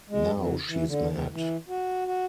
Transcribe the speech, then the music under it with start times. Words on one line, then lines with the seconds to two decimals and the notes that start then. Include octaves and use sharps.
Now she's mad.
0.10 G#3
0.33 F2
0.68 E3
0.88 D3
1.08 E2
1.32 E3
1.68 F#4
2.07 F#4